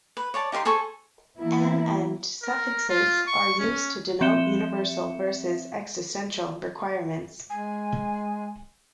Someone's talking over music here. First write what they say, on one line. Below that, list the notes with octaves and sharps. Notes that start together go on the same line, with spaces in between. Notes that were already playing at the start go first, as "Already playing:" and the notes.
An and suffixes are used to denote "universal" versus "existential" requirements.
B4
C#5 D5 A5
D#4 G4 E5 C6
G#4 A4 C5 C#6
E3 A#3 B3 E4
A#4
F4
C#6
C#4
F3 C4 E5 C#7 E7 G7
G#3 G#5